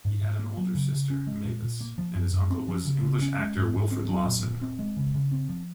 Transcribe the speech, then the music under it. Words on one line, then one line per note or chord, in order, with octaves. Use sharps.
He had an older sister, Mavis, and his uncle was English actor Wilfrid Lawson.
G#2
G#2
A#3
F#3
C#3
C#3
C#4
G#3
A#2
A#2
A#3
F3
F#2
F#2
C4
F3
C#3
C#3
C#4
G#3
G#2
G#2
C4
F#3
A#2
A#2
C4
G#3
C#3
C#3
C4
F3